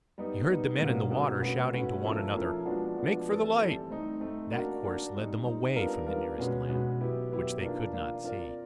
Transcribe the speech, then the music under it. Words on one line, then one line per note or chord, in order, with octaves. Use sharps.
He heard the men in the water shouting to one another, "Make for the light." That course led them away from the nearest land, which they could not see.
G3 B3 D#4
G3 B3 D#4
B2 G3 A#3 C#4 F#4
B2 G3 A#3 C#4 F#4
A3 C#4 F#4 B4
A3 C#4 F#4 B4
F3 A#3 C#4 E4 A4
F3 A#3 C#4 E4 A4
F3 G#3 B3 D4 F#4
F3 G#3 B3 D4 F#4
E3 G3 C4 E4 A4
E3 G3 C4 E4 A4
A3 C4 D#4
A3 C4 D#4
A#3 D4 F#4 A#4
A#3 D4 F#4 A#4
G3 C4 D#4
G3 C4 D#4
G3 B3 D4 F4 A#4
G3 B3 D4 F4 A#4
B2 G#3 C#4 F#4 B4
B2 G#3 C#4 F#4 B4
F#3 B3 E4 G4
F#3 B3 E4 G4
A#3 D4 F4
A#3 D4 F4
C4 F4 A#4 D5